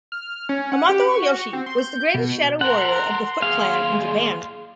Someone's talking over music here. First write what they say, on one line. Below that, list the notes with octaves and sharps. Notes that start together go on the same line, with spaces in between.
Hamato Yoshi was the greatest shadow warrior of the Foot Clan in Japan.
F6
C#4
F#5
G4
C#6
F#4
C4
C6
G6
B2
A4 A#4 F#5 C6
D#2 G#4 F5